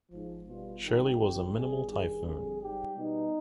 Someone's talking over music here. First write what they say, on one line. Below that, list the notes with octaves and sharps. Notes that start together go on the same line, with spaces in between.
Shirley was a minimal typhoon.
G#2 F3
B2 G3 F4
G#2 D#3 G3 G4
F2 D3 F3
B2 G3 G#4
G2 D#3 G3 G#4
F2 D3 G3 G#4
G#2 G3 G4
B2 G3 D#4